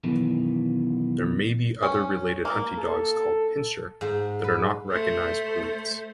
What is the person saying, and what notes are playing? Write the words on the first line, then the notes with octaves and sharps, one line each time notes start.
There may be other related hunting dogs called "pinscher" that are not recognized breeds.
F#2 B2 D#3 E3
C#4
A#3
A4
G#2
B4
A3 C5